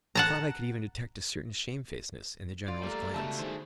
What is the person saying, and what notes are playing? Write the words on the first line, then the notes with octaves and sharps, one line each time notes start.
I thought I could even detect a certain shamefacedness in the General's glance.
F#5 A5 A#5
F4 D5
G3 A3 A#3 A#5
C#2 B2 G3 A3 D4 A5
D#3 G#4 C5